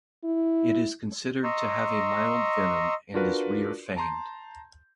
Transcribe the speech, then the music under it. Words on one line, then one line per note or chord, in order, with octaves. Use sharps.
It is considered to have a mild venom and is rear-fanged.
E4
D#5 A#5 C6 C#6 E6
D4 F4 F#4 A#4 B4 D5
A5 A#5 C6 G6